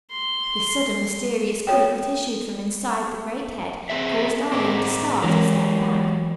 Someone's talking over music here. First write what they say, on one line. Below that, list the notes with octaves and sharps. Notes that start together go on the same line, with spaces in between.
This sudden, mysterious croak that issued from inside the great head caused Arline to start and step back.
C6
F#4 C#5 G5
C4 G#4 E5
C4 G#4 D#5 D6
E3 F#3 G#3 A#4